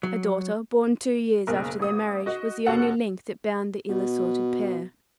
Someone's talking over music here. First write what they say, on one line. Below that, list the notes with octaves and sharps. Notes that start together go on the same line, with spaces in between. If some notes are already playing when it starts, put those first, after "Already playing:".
A daughter, born two years after their marriage, was the only link that bound the ill-assorted pair.
F#3
F#1 B1 A#4
A1 D#6
F#4 D#5
F1 F#4 A4 F#5
B2